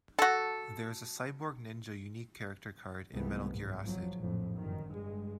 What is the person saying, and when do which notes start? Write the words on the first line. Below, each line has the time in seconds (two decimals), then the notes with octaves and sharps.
There is a Cyborg Ninja unique character card in "Metal Gear Acid".
0.19 F#4 A4
3.13 C2 E3 F3 G#3 A3 B3
3.50 G#2
3.83 G#1 F3 F#3
4.16 A#1 F2 A2
4.57 G1 F#2 D#3
4.88 G2 G#3